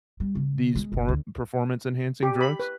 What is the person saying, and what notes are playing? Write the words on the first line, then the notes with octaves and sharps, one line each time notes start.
these por performance-enhancing drugs?
G3
C#3
G#3
F#1
D2
G4
B5
B4